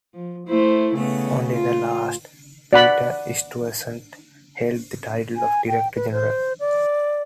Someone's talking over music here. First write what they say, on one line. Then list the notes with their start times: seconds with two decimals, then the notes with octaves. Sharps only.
Only the last, Peter Stuyvesant, held the title of Director General.
0.14 F3
0.47 A3 E4 C5
0.95 C#3 A3 B3
1.52 F4
2.73 D5 F#5 B5
5.37 G#5
5.68 G5
5.96 B4
6.12 C5
6.60 D5